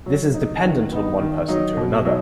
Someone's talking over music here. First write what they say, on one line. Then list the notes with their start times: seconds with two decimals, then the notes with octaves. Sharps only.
This is dependent on one person to another.
0.06 F#3
0.34 D#4
0.63 D#3
0.92 B3 D#4
1.19 D#3
1.48 F#3 D#4
1.77 B2
2.05 F#3 D#4